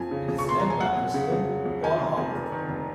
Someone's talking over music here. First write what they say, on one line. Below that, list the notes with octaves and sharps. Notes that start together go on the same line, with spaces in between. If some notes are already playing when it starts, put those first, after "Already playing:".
It is led by President Paul Hogle.
Already playing: F2 F3 G#5
C#3
F2
C#6
F3 C6
F2 A#5
G#5
F#3 F#5
F2
C#3
F2
F#3
F2
D#3 G#5
F1
F2
F1
D#3
F1